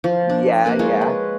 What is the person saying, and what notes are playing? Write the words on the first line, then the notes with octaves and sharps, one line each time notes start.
Yeah, yeah.
F3
D4
A#3 A#4 B4
G#3 F4 C#5
B4